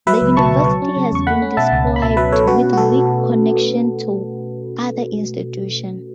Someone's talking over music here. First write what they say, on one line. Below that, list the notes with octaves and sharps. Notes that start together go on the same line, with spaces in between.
The university has been described with weak connection to other institutions.
F#3 B4 E5
C#2
B2 A5 C#6
C#2
F#3
C#4
C#3
E2 C#6
A3 F#5 B5
C#4
B2 E5 A5
C#2
C#4
B5
B2 E5 A5
F#3 B4 E5
B2 A4 C#5
C#4 F#4 B4
B2
F#4
A3 A4
B2